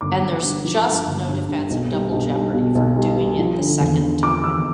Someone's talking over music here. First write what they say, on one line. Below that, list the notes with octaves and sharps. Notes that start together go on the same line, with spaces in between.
And there's just no defense of double jeopardy for doing it the second time.
G1 D6
G1
G2
F3
G2
G1
G2
G2
B1
G3
B1
G3
B2
B1
G3
G3
F3
D3
E2
D3
F3 D6
E2 E6